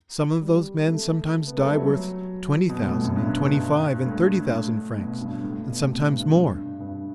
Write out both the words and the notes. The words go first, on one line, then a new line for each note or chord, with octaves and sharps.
"Some of those men sometimes die worth twenty thousand and twenty-five and thirty thousand francs and sometimes more."
G3
A3
B3
A3
G3
F#3
B2
A2
B2
A2
F#2
G2
A2
A2
B2
G2
A2
B2
C3
G2
G2
G2